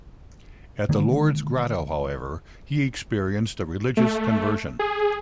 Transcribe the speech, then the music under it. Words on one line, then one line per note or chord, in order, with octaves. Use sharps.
At the Lourdes grotto however, he experienced a religious conversion.
D3 D#3 G#3 A#3
A3
G#4